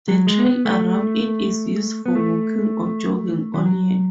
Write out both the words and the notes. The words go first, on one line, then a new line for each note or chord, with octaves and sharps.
The trail around it is used for walking or jogging all year.
F#3
G#3
B3
A3
B3
A3
E3
F#3